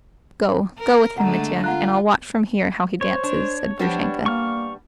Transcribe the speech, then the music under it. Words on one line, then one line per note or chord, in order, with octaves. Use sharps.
"Go, go with him, Mitya, and I'll watch from here how he dances," said Grushenka.
A#4
D3 G#3 A3 F#5 A#5
F4 F#5 A#5 F#6
C5 C#5
D4
F3 G3 B3 D4
A#3 C#6 F6